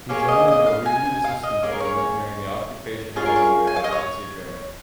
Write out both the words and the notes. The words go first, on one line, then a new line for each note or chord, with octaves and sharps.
He joined the Norwegian resistance movement during the occupation of Norway by Nazi Germany.
A#3 C#4 G#4 C#5
D#5
D#5
F5
G#5
G#5
F5
D#5
A#3 C#4 G#4 C#5
A#4
C#5
C#4 F4 G#4 C#5
A#4
C#5
G#5
F5
D#5
C#5